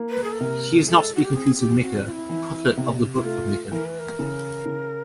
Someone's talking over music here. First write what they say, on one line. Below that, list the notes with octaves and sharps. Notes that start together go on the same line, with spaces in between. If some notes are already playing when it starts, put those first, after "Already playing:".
He is not to be confused with Micah, prophet of the Book of Micah.
Already playing: A#3
B4
G#4
A4
C3 A#4
G#3 A4
F#4
G4
C4 G#4
G4
C4 F#4
F4
E4
E3
C3
E4
A3 F4
E3 A#4
B4
A#4
C#3
C#3